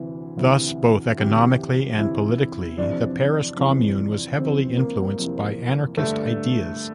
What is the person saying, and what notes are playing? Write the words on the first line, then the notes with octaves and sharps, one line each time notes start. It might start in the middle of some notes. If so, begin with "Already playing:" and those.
Thus both economically and politically the Paris Commune was heavily influenced by anarchist ideas.
Already playing: D2 C3 E3
D2 C3 E3
D2 C3 E3 G4
D2 C3 E3 E4
F2 C3 E3 D4
F2 C3 E3
F2 C3 E3 C4
A#3
F2 C3 E3
G2 D3 A3